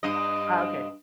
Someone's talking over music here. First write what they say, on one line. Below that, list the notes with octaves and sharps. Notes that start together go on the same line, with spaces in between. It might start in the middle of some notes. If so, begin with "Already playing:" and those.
Oh, okay.
G2 D#5